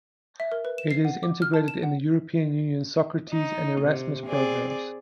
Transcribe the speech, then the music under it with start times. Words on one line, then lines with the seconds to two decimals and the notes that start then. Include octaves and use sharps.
It is integrated in the European Union's Socrates and Erasmus programs.
0.40 E5
0.52 A#4
0.65 B4
0.78 E7
0.91 C7
1.05 F#5
1.23 D6
1.42 F6
1.54 A5
1.68 E7
1.83 F#5
3.30 D#4
3.80 C3
4.26 C4 G#4 D5